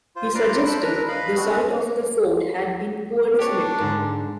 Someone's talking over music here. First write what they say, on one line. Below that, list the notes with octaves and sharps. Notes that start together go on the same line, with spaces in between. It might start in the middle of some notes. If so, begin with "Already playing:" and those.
He suggested the site of the fort had been poorly selected.
F4 C5
F4 B4 D5 F5 A#5 D6
A4 C5 B5 E6
D4 A#4 B4 A#5
B4 D#5 F5 B5
C4 D4 F#4
D4 G4 C#5
G#2 D3